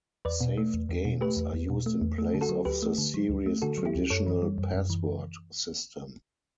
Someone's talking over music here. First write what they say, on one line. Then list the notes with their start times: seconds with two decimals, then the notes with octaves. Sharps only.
Saved games are used in place of the series' traditional password system.
0.25 E2 B4 D5
0.41 B2
0.57 A3
0.74 E2
0.89 E2
1.05 B2
1.21 A3 G4 B4
1.37 E2
1.53 E2
1.70 B2
1.86 A3
2.02 E2
2.18 A3
2.34 D3
2.41 F#4 A4
2.49 F#3
2.65 D2 G4 B4
2.82 A3
2.98 D3
3.14 F#3
3.29 D2
3.46 A3
3.62 D3 F#4 A4
3.78 F#3
3.86 E4 G4
3.95 D2
4.10 F#2 A4 C#5
4.27 E3
4.42 G3
4.58 F#2
4.74 F#2
4.90 E3